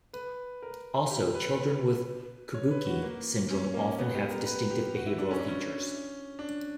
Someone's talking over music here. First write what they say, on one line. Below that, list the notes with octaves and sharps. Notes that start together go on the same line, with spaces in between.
Also, children with Kabuki syndrome often have distinctive behavioral features.
B4
A#4
G4
B4
C#5
B4
F#4
A#3
C#4
A#3
B3
G4
A#4
B4
G4
F#4
E4
D4
C#4
D4
C#4
D4